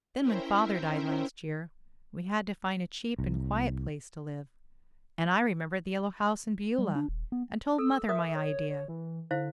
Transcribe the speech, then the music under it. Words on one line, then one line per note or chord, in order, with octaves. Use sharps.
Then when father died last year we had to find a cheap and quiet place to live, and I remembered the Yellow House in Beulah and told mother my idea.
C#4 E4 A#4 C5 E5 G5
C2
G3
D4
D#1
B3
A4 E6
A#4 E5 D#6
C#5
C#5
E3
D3 E4 C5 F5